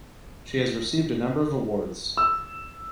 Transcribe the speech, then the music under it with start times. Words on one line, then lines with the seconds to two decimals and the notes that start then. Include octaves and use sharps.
She has received a number of awards.
2.17 E6